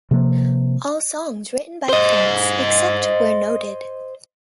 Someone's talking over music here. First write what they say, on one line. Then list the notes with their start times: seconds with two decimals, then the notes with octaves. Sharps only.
All songs written by Prince except where noted.
0.11 C3 F3 A#3
1.89 C5 D#5